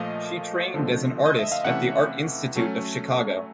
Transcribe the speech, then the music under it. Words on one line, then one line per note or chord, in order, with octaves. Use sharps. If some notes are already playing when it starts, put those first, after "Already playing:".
She trained as an artist at the Art Institute of Chicago.
Already playing: A#2 F3 A3 D#5 F5
D3 F3 A3 C4
D#5
E5
F5
C3 E3 A3 C#4 E5 F#5
F#3 A3 C#4